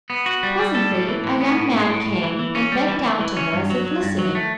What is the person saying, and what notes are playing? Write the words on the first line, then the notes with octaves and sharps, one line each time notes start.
Presently a young man came and bent down to her as if listening.
B3
F#4
G3
G3
A4
A2
E3
A2
B3
A2
A2
A2
A2
E3
E3
C#4
G3
E3
E3
E3
C#4
G2
F#3
F#3
G2
F#3
A3